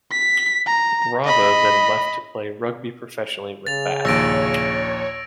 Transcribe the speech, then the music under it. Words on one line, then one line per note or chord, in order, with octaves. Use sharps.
'Robbo' then left to play rugby professionally with Bath.
B6
A#5
D#5 B5
C#3 A6 F7
A#1 D#2 C#5 E6 A#6 D7